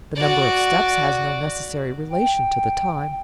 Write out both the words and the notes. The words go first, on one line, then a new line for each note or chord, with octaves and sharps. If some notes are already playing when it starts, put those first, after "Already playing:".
The number of steps has no necessary relation to the time.
F#4 D5
G5